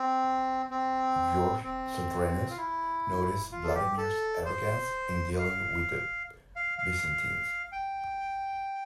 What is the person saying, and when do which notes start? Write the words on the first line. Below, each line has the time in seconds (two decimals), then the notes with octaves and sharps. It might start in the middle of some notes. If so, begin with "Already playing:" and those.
George Cedrenus noticed Vladimir's arrogance in dealing with the Byzantines.
Already playing: C4
0.70 C4
1.63 C4
2.50 F4
2.58 E4
3.52 F4
3.64 A4
3.74 G4
3.97 A4
4.45 C5
5.39 F5
6.56 F5
6.78 F5
7.72 G5